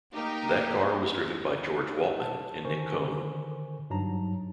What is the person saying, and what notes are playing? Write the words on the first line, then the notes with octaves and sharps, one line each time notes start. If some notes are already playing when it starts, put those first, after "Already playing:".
That car was driven by George Waltman and Nick Cone.
A#3 D#4 G4 A#4
A5
D3 D#3 A#4 C5 G#5 C#6
G2 F#3 D#4 A5 A#5